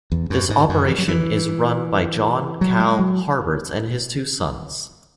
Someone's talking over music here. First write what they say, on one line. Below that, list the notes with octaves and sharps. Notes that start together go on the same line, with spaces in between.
This operation is run by John "Cal" Harberts and his two sons.
E2
F#2
G#2
F#2
E3
F#3
E3
F#3
G#3
F#3